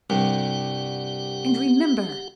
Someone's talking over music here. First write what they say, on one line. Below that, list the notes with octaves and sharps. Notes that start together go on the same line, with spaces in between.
And remember!
C2 G2 G4 F#5